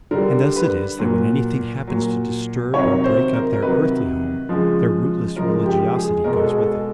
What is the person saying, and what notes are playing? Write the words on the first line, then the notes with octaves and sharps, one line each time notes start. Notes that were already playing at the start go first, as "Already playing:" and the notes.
And thus it is that when anything happens to disturb or break up their earthly home their rootless religiosity goes with it.
D3 G3 A#4
B4
A#2 F#3
A#2 F#3
C3 D#3 F#3 C#5
C5
A#4
A#4
C3 D#3 F#3 B4
C#3 F3 G#3
C#3 F3 G#3 A#4
G4
G#4
B2 G#3 A#4
A4
G#4
A4